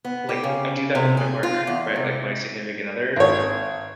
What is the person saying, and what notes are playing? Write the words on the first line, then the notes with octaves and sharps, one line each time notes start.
like I do that with my partner, right? Like, my significant other.
B3
G4
C#3
C3
G#4
F4
E2
C3
G#1 C#5